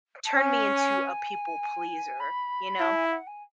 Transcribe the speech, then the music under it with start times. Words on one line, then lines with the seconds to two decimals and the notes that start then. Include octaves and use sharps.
turned me into a people pleaser, you know,
0.25 A5
0.36 C#4 G#5
0.97 G#5
2.19 B5
2.80 E4 A5
2.95 G#5
3.05 E5
3.12 F#5
3.27 G#5